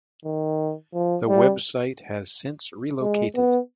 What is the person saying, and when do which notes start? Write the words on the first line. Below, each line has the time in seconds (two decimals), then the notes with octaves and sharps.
The website has since relocated.
0.25 D#3
0.94 F3
1.28 G3
3.01 G#3
3.35 B3